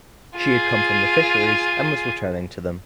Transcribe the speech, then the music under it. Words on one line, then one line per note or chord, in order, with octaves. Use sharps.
She had come from the fisheries and was returning to them.
F4 G#4